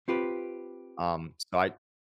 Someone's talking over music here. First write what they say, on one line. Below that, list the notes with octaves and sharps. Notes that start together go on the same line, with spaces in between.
um, so I
C4 F4 G4 B4